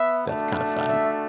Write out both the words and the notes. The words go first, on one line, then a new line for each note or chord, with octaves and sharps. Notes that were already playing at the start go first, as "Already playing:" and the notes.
that's kind of fun
Already playing: B3 E5
A3 D4 F#4
E5